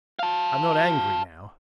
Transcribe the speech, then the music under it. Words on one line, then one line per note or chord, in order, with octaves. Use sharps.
I am not angry now.
F5 A5